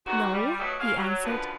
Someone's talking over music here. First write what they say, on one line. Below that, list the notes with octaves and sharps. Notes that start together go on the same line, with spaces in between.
"No," he answered.
E2 D#3 F#3 F#4
G3
F#3 A3 B3 D#4 F#4 G4
F#4 G#4 A#4 F5
F#3
F#2 D3 F3 B3 B4